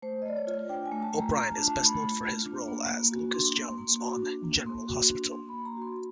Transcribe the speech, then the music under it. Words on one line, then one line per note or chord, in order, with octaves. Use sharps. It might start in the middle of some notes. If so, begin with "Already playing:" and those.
O'Brien is best known for his role as Lucas Jones on "General Hospital".
A3 C5
D#5
A3 D5
C#5
F4
D4 G5
G#5
A3
A5
A3
A#5
F4 A#5
A5
D4
A5
A3
B5
A3
F4
D4
A#3
A#3
F#4
D4 C6
A#3
A#3
F#4
D4
A#3
A#3 C6
F#4
D4
A#3 C6
B5
A#3
A#5
F#4
C6